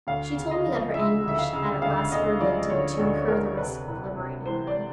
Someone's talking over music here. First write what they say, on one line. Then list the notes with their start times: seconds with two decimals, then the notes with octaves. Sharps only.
She told me that her anguish had at last spurred Linton to incur the risk of liberating her.
0.07 D2 F5
0.36 C#3
0.51 D#5
0.66 F3
0.94 C#3 E5
1.24 D2 E5
1.39 F5
1.53 C#3
1.82 D2 F5
2.12 D2 D#5
2.40 F3 D5
2.70 D2 C#5
2.99 D2
3.28 D2 A#4
3.57 C3 B4
3.87 C2
4.16 C3
4.45 E3 C5
4.67 D5